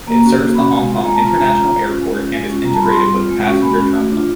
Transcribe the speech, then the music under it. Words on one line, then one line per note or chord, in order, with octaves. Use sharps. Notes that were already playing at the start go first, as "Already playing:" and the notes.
It serves the Hong Kong International Airport, and is integrated with the passenger terminal.
A#3 A#5
C#4 F#4
A#3
C#4 F#4 B5
G#3
C4 F4
G#3 A#5
A5
C4 F4 A#5
G#3 A#5
C#4 F4
G#3
C#4 F4
G#3
C#4 F4
G#3
C#4 F4
G3 A#5
A5
C4 F4 B5
C6
G3
C4 F4
G#3
C#4 F#4
G#3 B5
C#4 F#4
A3
D4 F4